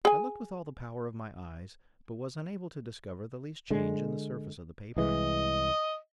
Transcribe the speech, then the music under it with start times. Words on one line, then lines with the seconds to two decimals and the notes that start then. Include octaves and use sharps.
I looked with all the power of my eyes, but was unable to discover the least change in the surface of the paper.
0.05 G#4 G#5
3.71 D3 G#3
4.97 C2 E3 G#3 D#5